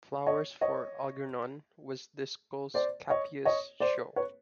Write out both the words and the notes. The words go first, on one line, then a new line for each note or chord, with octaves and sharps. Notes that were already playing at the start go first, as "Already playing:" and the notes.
"Flowers for Algernon" was the school's Cappies show.
C#5 D#5
C#5 D#5
C5 D5
C#5 D#5
C#5 D#5
C5 D5
B4 C#5